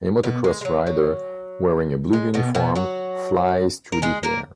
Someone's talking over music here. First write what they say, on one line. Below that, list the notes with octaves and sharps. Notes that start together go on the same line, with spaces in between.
A motocross rider wearing a blue uniform flies through the air.
B2 B3
G#3
G#3
F#3
F#3
G#3
B2 B3
B2 B3
F#3 F#4
A#4
G#3 G#4
A#3 A#4